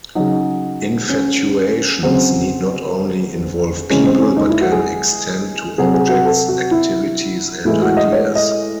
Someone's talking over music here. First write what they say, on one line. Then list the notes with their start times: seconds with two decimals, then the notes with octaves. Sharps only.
Infatuations need not only involve people, but can extend to objects, activities, and ideas.
0.15 C#3 F#3 D#4
1.09 C#4
2.03 C#3 F#3 C4
3.90 C#3 E3 G#3 C#4
4.06 C4
4.22 C#4
4.37 D#4
4.50 E4
4.61 F#4
4.72 G#4
5.78 C3 F#3 G#4
5.94 G#4
6.09 F#4
6.25 A4
6.48 F#4
6.71 E4
7.65 A2 E3 G#3 E4
7.82 F#4
7.97 D#5
8.12 C#5
8.35 D#5